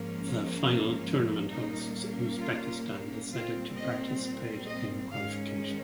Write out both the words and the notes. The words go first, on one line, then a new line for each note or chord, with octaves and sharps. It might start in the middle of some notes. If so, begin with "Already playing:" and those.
The final tournament hosts Uzbekistan decided to participate in qualification.
Already playing: G#2 F3 A#3 C#4
A#2 G3 A#3 C#4 D#4
F4
A#2 G3 C4 F4
D#5
D#5
G#2 D#3 G#3 C#4 F5